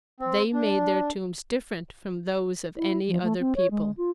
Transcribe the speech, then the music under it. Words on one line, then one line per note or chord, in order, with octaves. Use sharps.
They made their tombs different from those of any other people.
C4
D4
E4
F3
A3
C4
C#5
G#3
F4